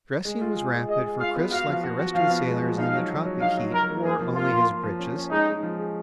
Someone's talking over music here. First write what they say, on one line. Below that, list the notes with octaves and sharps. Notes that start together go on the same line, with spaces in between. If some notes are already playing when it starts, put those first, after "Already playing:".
Dressing was rapid, for Chris, like the rest of the sailors in the tropic heat, wore only his breeches.
G#3
F4
G#4
G#3
G#4 D#5
G#4
F4 F5
B3
F#4 F5
F3
F#4
F#4
F3 F5
B3
G#3
F3
D#4 F5
F#3
F#3
F#3
D#4 F5
F#3
F#3 A#4
A#3
A#3 G#4
F3
A#3 F4
A#3
A#3
F3
C#4
C#4
G#3 D#4
G#3
F3
G#4